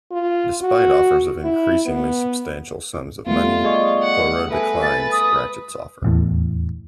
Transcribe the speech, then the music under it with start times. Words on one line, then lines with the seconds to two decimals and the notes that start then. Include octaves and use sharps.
Despite offers of increasingly substantial sums of money, Poirot declines Ratchett's offer.
0.12 F4
0.62 F#4
1.44 E4
1.86 B3
3.27 G3 A3 B3 F4
3.64 G#4 D5 D#5 C#6
4.02 F#5
4.51 A4 B4 E5 G#5
4.83 A6
5.12 D#6
6.02 D#1 E2 A2